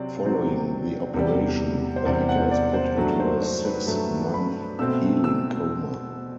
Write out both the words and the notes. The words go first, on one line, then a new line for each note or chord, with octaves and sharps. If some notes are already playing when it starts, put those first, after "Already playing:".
Following the operation, the hacker is put into a six-month healing coma.
Already playing: C3 F#3 C4 D5
C3 F#3 C4
E2 C3 G3
C5
E2 C3 G3 D5
F#5
D5
C5
G2 F#3 A3
C5
C5
B4
G2 F#3 A3
B5
B2 A3 C4 E6
E6